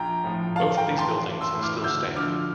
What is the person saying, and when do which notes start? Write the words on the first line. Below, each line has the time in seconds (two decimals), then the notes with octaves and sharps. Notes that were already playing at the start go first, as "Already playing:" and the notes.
Both of these buildings still stand.
Already playing: A#1 G5 A#5
0.24 A2 F3
0.55 A1 F5 A5
0.77 G5 A#5
0.87 A2 E3
0.98 A5 C6
1.20 A1
1.41 C6 E6
1.52 A2 E3
1.63 D6 F6
1.83 D2 E6 G6
2.16 D3 F3 D6 F6